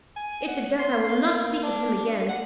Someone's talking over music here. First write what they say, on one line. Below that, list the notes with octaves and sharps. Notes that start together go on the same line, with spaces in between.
If it does, I will not speak of him again.
G#5
F#5
C6
A#3
D4
F#5